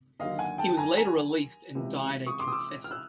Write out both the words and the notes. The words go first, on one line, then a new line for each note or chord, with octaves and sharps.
He was later released and died a confessor.
D#2 D3 F#3 D#5 F5
F#5 G#5
G5 A5
G#5 A#5
G#5 A#5
C#2 C3 E3
C#6 D#6
C6 D6
D#6
D6 E6
F6
E6 F#6